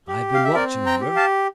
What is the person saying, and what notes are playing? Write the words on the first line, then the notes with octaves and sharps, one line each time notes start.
I have been watching her.
G4
F5
E5
C4 A#4 D5
G5 A#5
G4
F5 A5